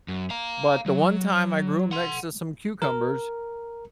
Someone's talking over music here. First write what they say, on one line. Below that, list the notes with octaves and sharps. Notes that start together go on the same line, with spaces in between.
But the one time I grew 'em next to some cucumbers,
F#2
F5 A#5
F#3
F#5 C6
A#4